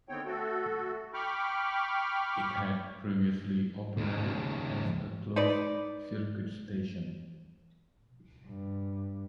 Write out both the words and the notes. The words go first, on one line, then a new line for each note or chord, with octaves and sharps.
It had previously operated as a closed circuit station.
D3 D#3 B3 C4 C#5 G5
A3 F#4 A4
G5 B5 C#6 D6 F6
D#2 C#3
D#4 B4 D5
G2